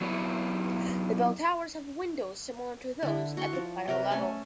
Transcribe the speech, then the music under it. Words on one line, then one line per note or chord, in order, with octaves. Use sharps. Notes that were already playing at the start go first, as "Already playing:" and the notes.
The bell towers have windows similar to those at the choir level.
F#3 B3 E4 C#5
D3 E4
F#4 C6 C#6
F3
C3 G4 A#4 B4
A3 C#4 G#5 A5